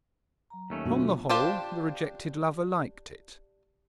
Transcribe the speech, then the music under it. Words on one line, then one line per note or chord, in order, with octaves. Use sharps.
Upon the whole the rejected lover liked it.
F#3 A#5
D#2 A3 C#4
B2 F#3 D4 F4
D4 F4 G4 C5 F5